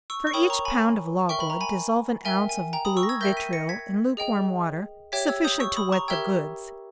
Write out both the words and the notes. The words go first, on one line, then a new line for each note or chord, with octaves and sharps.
For each pound of logwood, dissolve an ounce of blue vitriol in lukewarm water sufficient to wet the goods.
C#6 E6
C#6
A#4 C#5 G5 B5 D#6
A#5 C#6
G#5 B5
A#4 E5 G5 C#6
B5
A#5
G#5 B5
A#4 E5 G5 G#5
G#5
G5 A#5
B5 D#6
C#6 E6
A#6
E6 G#6
A#4 E5 G5 G6 A#6
B6 D#7
A#6 C#7
G#6 B6
G#4 D#5 G5
G4 C#5 E5 G5 G#6 B6
E6 G#6
D#6 G6
C#6 E6
B5 D#6
A#5 C#6
G4 A#4 E5 G5 E6 G#6